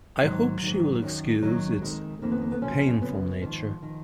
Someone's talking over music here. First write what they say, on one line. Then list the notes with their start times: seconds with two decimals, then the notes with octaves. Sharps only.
I hope she will excuse its painful nature.
0.23 G#2 D#3 F#3
0.63 G#2 D#3
1.02 F#2 D#3
1.42 F#2 D#3 F#3
1.82 F2 D#3 G#3
2.22 F2 D#3 A#3
2.32 B3
2.42 A#3
2.52 B3
2.62 F#2 C#3 F3 C#4
3.02 F#2 C#3 F3 B3
3.41 G#2 D#3 F3
3.82 D#3